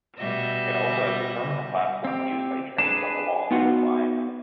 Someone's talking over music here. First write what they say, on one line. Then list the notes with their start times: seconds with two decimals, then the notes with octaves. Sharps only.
It also has a terminal platform used by trains on the Wallingford line.
0.18 B2 G3 D#5 E5
2.05 C4 G4
2.78 D4 G#4 B4 E7
3.51 B3 D#4 F4 F#4 F#5